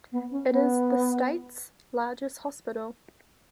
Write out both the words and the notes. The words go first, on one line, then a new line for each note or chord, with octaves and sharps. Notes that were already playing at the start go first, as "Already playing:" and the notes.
It is the state's largest hospital.
B3
C#4
B3